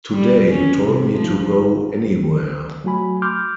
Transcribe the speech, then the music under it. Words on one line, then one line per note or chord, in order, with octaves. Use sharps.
Today you told me to go anywhere.
G3
C#4
C3
F3
F#3 A3 F#4 G#5 B5
C6 D6 F6 G6